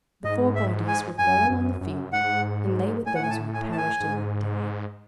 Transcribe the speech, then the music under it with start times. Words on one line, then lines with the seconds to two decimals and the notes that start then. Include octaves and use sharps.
The four bodies were fallen on the field, and lay with those who had perished in that day.
0.24 G#2 D#5
0.56 E5
0.88 G#5
1.18 F#2 G#5
1.50 F#2
1.81 F#2
2.12 G#2 F#5
3.06 A2 G#5
3.15 F#5
3.23 G#5
3.30 A5
3.54 G#5
3.72 A5
3.77 G#5
4.00 G#2